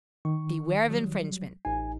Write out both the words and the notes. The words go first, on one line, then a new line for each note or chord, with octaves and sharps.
Beware of infringements!
D#3 C#6
F#3 G3
A1 D#4 G#5